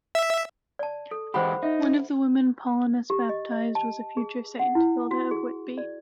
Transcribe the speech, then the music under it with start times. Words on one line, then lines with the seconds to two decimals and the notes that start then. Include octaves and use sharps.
One of the women Paulinus baptised was a future saint, Hilda of Whitby.
0.15 E5
0.79 D5 A5
1.11 A4
1.34 E3 G#3 G4 C5 F#5 B5
1.63 D#4 E5
3.10 G4
3.29 D#5
3.52 D#5
3.75 A5
4.17 G#4
4.59 F#5
4.75 E4
5.11 F#4
5.31 G#4
5.78 D5